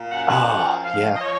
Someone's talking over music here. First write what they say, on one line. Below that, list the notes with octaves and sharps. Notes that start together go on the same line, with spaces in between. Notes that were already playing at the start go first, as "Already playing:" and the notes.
Oh, yeah.
Already playing: A#2
F#2 F#5
F3
F3 F5
D#5
F3 C#5